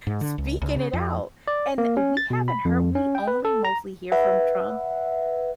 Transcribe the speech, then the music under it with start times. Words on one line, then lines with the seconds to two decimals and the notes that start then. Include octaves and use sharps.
speaking it out. And we haven't heard we only mostly hear from Trump
0.07 G#2
0.21 D3
0.38 C#2
0.62 C#2
0.76 C#3
0.93 F2
1.48 D5
1.78 A#3
1.97 C#4
2.17 A6
2.30 B2
2.48 B5
2.65 F2
2.95 C#4
3.15 G5
3.28 B4
3.45 A4
3.65 A#5
4.12 B4 E5 F#5